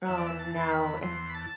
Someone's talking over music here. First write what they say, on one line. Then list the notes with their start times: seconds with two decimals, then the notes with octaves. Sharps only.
Oh, no, and
0.08 E2 E5
0.18 D5
0.27 E5
0.39 A5
0.55 E2 C6
0.71 B5
1.02 E2 C6
1.30 B5
1.34 A5